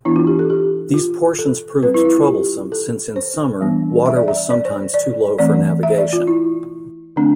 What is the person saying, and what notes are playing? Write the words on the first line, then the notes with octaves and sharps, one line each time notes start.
These portions proved troublesome since in summer, water was sometimes too low for navigation.
E3 B3 D4 E4
F4
G4
A4
G4
F4
A4
G3 C4 B4
E4
E4
F4
G4
A4
C5
E3 G3 B3 D4
E5
D5
E5
D5
C5
D5
E3 A3 C4 D5
E5
D5
F4
E4
D3 A3 C4 D4